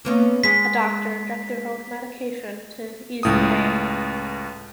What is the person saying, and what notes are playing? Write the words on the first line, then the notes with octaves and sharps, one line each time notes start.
A doctor injected her with medication to ease the pain.
A#3 B3 C#4
G#3 G#4 B6
C#2 A2 D#6